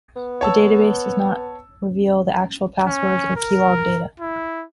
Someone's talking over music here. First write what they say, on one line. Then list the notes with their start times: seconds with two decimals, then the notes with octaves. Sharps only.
The database does not reveal the actual passwords or keylogged data.
0.16 B3
0.41 C#5 A5 E6
2.87 C#4
3.36 A#4
4.20 E4